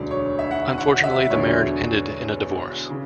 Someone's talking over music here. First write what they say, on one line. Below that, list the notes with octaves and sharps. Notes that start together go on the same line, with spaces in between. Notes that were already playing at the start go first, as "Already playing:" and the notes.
Unfortunately, the marriage ended in a divorce.
Already playing: E1 D2 D3 F#3 D5
C#5
E5
F#5
F#5
E5
E1 E2 D3 F#3 C#5
C#3